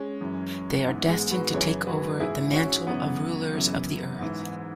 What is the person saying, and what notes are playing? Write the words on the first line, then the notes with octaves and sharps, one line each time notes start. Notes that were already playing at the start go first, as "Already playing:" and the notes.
They are destined to take over the mantle of rulers of the Earth.
Already playing: G#3 C#4
F#2 E3
G#2 E3 B3
G#3
F#4 B4
F#2 C#3 E3 G#4 C#5
F#4 B4
G#2 E3 E4 G#4
C#4 F#4
F#2 C#3 E3 B3
F#2 C#3 E3
G#2 E3